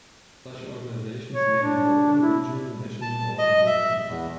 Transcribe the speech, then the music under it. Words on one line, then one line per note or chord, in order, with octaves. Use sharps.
Such organizations may be local, regional, national, or international.
C#5
D4
E4
A5
D#5
E5
E2